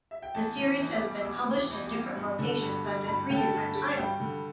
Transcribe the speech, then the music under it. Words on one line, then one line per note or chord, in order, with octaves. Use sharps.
The series has been published in different locations under three different titles.
E5
G5
E2 A5
E3
E2
D6
G3
E6
E2 D6
E3
D6
E2
D6
G3
G2
D3
G2
G3
G2 B5
D3 G5
A5
G2
G3
G2 G5
D3